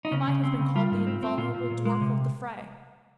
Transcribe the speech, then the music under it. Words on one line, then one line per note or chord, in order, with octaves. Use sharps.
He might have been called the invulnerable dwarf of the fray.
D#4
C#3 C#4
C#3
C4
C#3
G3 F4
G#2
C4
C4
A#2 F4
A#2
A#2
G#3
C3